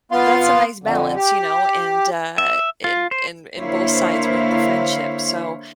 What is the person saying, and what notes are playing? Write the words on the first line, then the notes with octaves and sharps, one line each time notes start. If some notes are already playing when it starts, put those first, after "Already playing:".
that's a nice balance, you know, and, uh, in in in both sides with the friendship, so
B3 F4 F5 C6
F2 D3
G4
E5
F4
C5
D3 A#3 E4 C5 C#5 F5